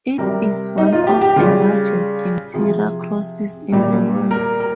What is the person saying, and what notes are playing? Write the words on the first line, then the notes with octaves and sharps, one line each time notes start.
It is one of the largest interior crosses in the world.
C3 G3 A#4
D#4
F4
G4
G4
C#3 G3 F4
C3 F3 G#4
A#2 G3
A#4
A#4